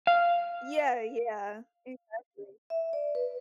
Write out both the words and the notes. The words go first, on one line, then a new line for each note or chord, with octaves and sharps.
Yeah, yeah. Exactly.
F5
E5
D5
B4